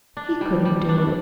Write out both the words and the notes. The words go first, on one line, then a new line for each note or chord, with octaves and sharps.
He couldn't do it.
D4
G3
G3
D4